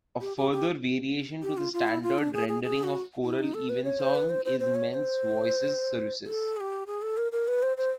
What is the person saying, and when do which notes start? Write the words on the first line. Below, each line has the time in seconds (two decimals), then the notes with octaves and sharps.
A further variation to the standard rendering of choral evensong is men's voices services.
0.21 G4
0.37 G4
0.52 G4
1.43 G4
1.57 F4
1.73 F4
1.88 E4
2.03 F4
2.18 D4
2.33 G#4
2.48 G#4
2.63 G#4
2.84 F#4
3.24 E4
3.39 D#4
3.54 A4
3.69 B4
3.84 C#5
4.00 C5
4.15 B4
4.30 C5
4.45 C5
4.60 C5
4.75 C#5
4.90 C#5
4.94 C5
6.26 A4
6.57 G#4
6.60 G4
6.87 G#4
7.02 A4
7.17 A#4
7.32 A#4
7.48 B4
7.62 C5
7.77 C5